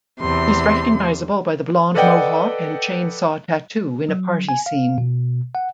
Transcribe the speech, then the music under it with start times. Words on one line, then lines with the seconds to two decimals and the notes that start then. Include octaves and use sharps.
He's recognizable by the blonde mohawk and chainsaw tattoo in a party scene.
0.21 E2 C3 C6
1.94 A4 B4 D5 D#5 F#5 G5
4.09 F#3
4.49 G#5
4.66 F5
4.98 B2
5.55 F#5